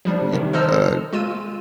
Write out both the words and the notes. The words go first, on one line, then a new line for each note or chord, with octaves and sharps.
Y uh,
F3 G3 D4
C3 D#3
A4 C5 D#5 A#5 E6 F6
G#3 F4 E6 D#7